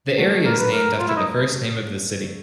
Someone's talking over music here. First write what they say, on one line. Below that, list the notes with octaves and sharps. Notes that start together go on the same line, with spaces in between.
The area is named after the first name of the city.
F#3 A3 D4 F#4
A#4
B4
A#4
F4
E4
D#4